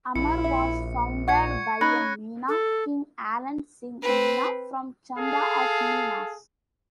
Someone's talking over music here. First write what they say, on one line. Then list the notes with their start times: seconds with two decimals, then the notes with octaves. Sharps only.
Amer was founded by a Meena king Alan Singh Meena from Chanda of Meenas.
0.16 A#1 E4 C#7
0.44 E5
1.28 A#2 F#5 C#6 G#6 C#7
1.81 C#4 D#4 C#5 B5 F#6 A#6 C#7
2.48 A4
4.02 C4 B4
5.17 G#4 A4 F5